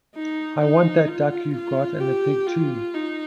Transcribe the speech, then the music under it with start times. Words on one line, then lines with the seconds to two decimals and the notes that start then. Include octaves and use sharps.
I want that duck you’ve got — and the pig too.
0.15 D#4
0.62 D#4
1.07 F4
1.55 F4
2.00 G4
2.47 F4
2.94 D#4